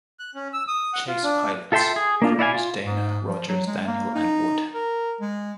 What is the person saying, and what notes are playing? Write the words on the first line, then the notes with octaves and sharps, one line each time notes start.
Chase pilots: Crews, Dana, Rogers, Daniel and Wood.
F#6
C#4
E6
D#6
F#5
F4
D4
F4 A4 E5 G5 C6
G#4
A#3 D4 F4
E4 D5 F5 F#5 G#5
F4
G#2
F3
F#3
G#3
A#3
D#4
A#4
G#3